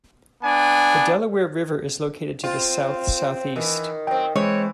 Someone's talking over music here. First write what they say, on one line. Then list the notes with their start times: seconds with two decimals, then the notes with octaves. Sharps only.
The Delaware River is located to the south-southeast.
0.43 B3 D4 G#5
2.44 C4 F4
3.56 D#3 E3
4.07 F#3 C4 G5
4.36 E3 G#3 C4 C#5